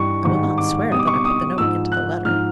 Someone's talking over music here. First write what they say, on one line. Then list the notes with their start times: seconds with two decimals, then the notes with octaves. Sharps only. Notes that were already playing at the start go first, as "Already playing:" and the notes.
"I will not swear that I put the note into the letter."
Already playing: G2 E3 G3 C#6
0.25 G#2 D#3 G3 C#6
0.58 D6
0.92 B2 G3 D#6
0.99 D6
1.07 C#6
1.15 D6
1.25 D#6
1.58 G#2 F3 E6
1.92 F#6
2.25 G#2 F3 F6